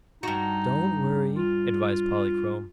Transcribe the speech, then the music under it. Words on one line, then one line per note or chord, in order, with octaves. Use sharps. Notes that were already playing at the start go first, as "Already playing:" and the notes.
"Don't worry," advised Polychrome.
G2 D#4 F#4
F4